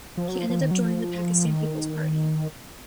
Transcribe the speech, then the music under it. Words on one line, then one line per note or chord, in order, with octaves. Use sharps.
He ended up joining the Pakistan Peoples Party.
F3
F#3
F3
F3
D#3
F#3
F3
D#3